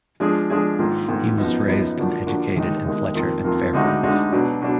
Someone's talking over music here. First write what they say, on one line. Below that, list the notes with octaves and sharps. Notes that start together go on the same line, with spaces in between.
He was raised and educated in Fletcher and Fairfax.
F3 G#3 D4 G#4
F3 G#3 D4 G#4
G#2 D#3 A#3 F4
G#2 D#3 A#3 F4
F#2 F3 B3 D#4
F#2 F3 B3 D#4
D3 F3 A#3 D4 F#4
D3 F3 A#3 D4 F#4
D#2 D#3 G#3 D#4
D#2 D#3 G#3 D#4
F2 D#3 A#3 F4
F2 D#3 A#3 F4
D2 D3 G#3 D#4 F#4
D2 D3 G#3 D#4 F#4
B2 F#3 D4
B2 F#3 D4